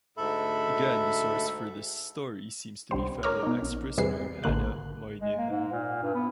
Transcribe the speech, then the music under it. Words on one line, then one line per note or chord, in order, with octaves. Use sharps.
Again the source for this story seems to be fellow ex-prisoner Hanna Moynihan.
D2 G#2 A4 E5 B5
C2 D3 G3 C5
A#4 C#5 A#5 D6 F6
B2 D#4
A#1
E2 C3 G3 G#4 B4 C7
A1 D3 A#3 F#6
G#3
A#3
G#2
A#2
G2
B3